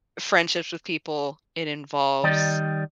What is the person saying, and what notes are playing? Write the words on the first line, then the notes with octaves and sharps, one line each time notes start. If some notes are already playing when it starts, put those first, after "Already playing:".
friendships with people. It involves
D#3 G3 D5 D#5